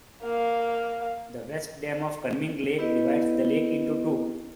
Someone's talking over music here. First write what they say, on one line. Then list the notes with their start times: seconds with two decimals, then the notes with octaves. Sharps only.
The West Dam of Kunming Lake divides the lake into two.
0.22 A#3 F5
2.78 B3 E4 G4 B4 D#5